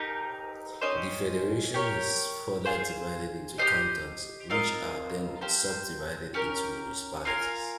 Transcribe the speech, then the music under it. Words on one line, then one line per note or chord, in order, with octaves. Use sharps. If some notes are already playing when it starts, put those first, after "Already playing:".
The Federation is further divided into cantons, which are then subdivided into municipalities.
Already playing: D#4 G4 A#4
C#4 G4 C5 D#5
G4 A#4 C#5
F4 G#4 C5
G4 C5 D#5
C4 F4 A#4 D#5
G4 C5 F5
C#4 G4 A#4
F4 A#4 F5 G#5